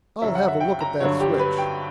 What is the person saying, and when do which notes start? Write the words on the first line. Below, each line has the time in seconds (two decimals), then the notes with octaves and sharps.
I'll have a look at that switch.
0.21 F#2 C#3 F#3 E5
0.35 F#5
0.48 E5
0.61 G5
0.80 A#5
1.00 G2 D3 F#3 C#5
1.20 G4
1.39 B4
1.58 G5